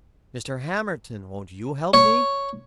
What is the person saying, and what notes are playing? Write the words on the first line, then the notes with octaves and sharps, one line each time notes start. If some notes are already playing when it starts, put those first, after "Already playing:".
"Mr. Hamerton, won't you help me?"
C#5